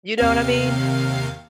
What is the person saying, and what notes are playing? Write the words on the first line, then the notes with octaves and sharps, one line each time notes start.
You know what I mean?
D#2 C3 F5